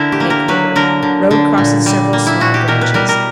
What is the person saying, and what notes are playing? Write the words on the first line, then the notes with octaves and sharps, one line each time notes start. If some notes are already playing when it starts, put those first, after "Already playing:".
Snake River.--Road crosses several small branches.
Already playing: D3 E4 A#4
G4
A#3
A#4
F#3 B4
D3 A#4
D3
D3
A#2
G3
A#3
E4
A#2 F#4
G4
B2 A#4
B4
G3 A#4
A#4